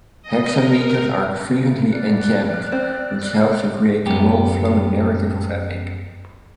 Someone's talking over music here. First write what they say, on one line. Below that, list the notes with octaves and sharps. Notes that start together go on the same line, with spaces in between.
Hexameters are frequently enjambed, which helps to create the long, flowing narrative of epic.
D#5
A#4
D5 F6 F#6
C4
F#2 B3 G4